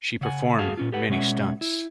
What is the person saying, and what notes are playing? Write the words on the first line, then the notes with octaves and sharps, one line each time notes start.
She performed many stunts.
C#3 F#5 G#5
G2 A3 F#4 G#4 F5 A5
A#2 C#4 F4
G4 A4 B4 F#5
B2 G#3 C#4 E5 F#5
E4